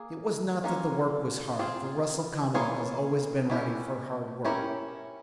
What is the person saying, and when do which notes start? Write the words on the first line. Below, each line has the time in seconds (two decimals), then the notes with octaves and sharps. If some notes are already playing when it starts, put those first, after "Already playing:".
It was not that the work was hard, for Russell Conwell has always been ready for hard work.
Already playing: A#3 G#4
0.64 A#3 C#4 F4
1.59 C4 F4 G#4
2.54 E3 A#3 F4 G#4 C#5
3.50 C#4 E4 G4
4.45 C#4 E4 G4 A#4 C#5